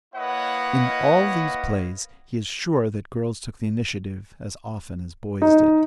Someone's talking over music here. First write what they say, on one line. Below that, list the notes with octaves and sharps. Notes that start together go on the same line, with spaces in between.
In all these plays he is sure that girls took the initiative as often as boys did.
A#3 E4 B4 C#5 D#5 F#5
D#4